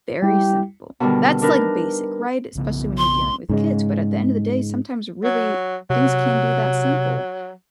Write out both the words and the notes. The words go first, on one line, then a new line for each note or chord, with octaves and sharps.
Very simple. That's, like, basic, right, especially when you're dealing with kids, but at the end of the day, sometimes, really, things can be that simple,
G3 E4 G4
B2 D3 D#3 G3
D4 D#4 A#4 B4
B1 C#3 B3
C6
G#2 C#3 G#3
F#3
C3 F#3